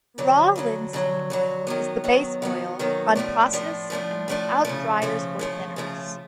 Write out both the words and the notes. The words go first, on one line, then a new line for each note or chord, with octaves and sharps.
Raw linseed oil is the base oil, unprocessed and without driers or thinners.
F2 D3 F#3
F2 D3 F#3
F2 D3 F#3
F2 D3 F#3
D#3 F#3 B3
D#3 F#3 B3
D#3 F#3 B3
D#3 F#3 B3
A2 F3 A3 D4
A2 F3 A3 D4
A2 F3 A3 D4
A2 F3 A3 D4
C#3 F3 A3
C#3 F3 A3
C#3 F3 A3
C#3 F3 A3